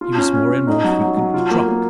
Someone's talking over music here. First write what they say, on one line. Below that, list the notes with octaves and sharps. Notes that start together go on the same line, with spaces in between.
He was more and more frequently drunk.
F4
C#4
C#4
C#4
D#4
F#3
F#3
F#3
F4
A#3
A#3